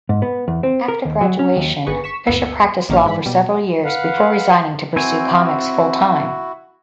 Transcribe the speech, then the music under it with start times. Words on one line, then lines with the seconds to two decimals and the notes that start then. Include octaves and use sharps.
After graduation, Fisher practiced law for several years before resigning to pursue comics full-time.
0.09 G#2
0.22 B3
0.48 E2
0.63 C4
0.88 A#4
1.05 D#2
1.21 F#3
1.39 C#4
1.56 D#2
1.87 G1 G#4 B4 C#6
2.04 C#6 B6 E7
2.26 G1 D2 B3 E6 C#7
2.89 A#1 D#3 A#3 C#4 F5
3.04 G#2 E3 B5
3.26 B2 G3
3.85 B4 F5 F#5
4.96 C4 E4 F#4 G#5